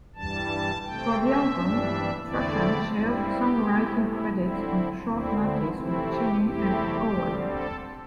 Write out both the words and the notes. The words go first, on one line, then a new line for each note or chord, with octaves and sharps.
For the album, Strachan shared songwriting credits on "Short Notice" with Cheney and Owen.
G2 E3 G3 A5
C3 A3 C4 G5
E5
G2 E3 G3 D4
E2 D3 A3 C4 E4 D5
G2 G3 C4 E4
G4
C3 A3 E4
E4
D3 C4 E4
D2 D3 C4 E4
E4
C3 E3 A3 C4 E4
G4
E2 C3 A3 C4 E4 G4
D3 G3 C4
A4